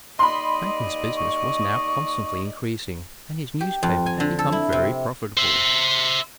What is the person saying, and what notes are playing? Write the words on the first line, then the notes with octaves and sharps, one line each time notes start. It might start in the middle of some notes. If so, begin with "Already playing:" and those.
Franklin's business was now constantly increasing, and his newspaper had become very profitable.
D#2 D5 D#5 B5 C6
C#6
G4
F2
G#5
D3
A4
E4
C3
C5 E5